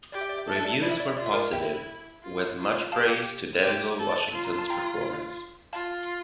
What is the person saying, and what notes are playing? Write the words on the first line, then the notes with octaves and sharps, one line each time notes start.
Reviews were positive, with much praise to Denzel Washington's performance.
G4 D5
E5
D5
E5
A4 D5
E5
D5
E5
E4 D5
E5
D5
E5
F4 D5
E5
A#4 D5
E4 E5 G5
F4
F4
G4 F5 A5
G4
A4
F4
A#5
A5
G5 A#5
F4 F5 A5